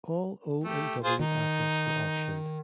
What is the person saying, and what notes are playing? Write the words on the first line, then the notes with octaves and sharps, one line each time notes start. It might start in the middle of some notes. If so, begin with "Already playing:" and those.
All O and W assets were auctioned.
A3 G4
F4 G#4 C5
D#3 D#4